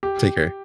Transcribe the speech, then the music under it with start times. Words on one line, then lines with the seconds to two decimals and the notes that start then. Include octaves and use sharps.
Take care.
0.03 G4